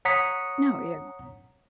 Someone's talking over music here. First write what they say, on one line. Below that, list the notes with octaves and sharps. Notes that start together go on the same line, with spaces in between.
No, yeah.
C#5 F#5 A#5 D#6 B6 C#7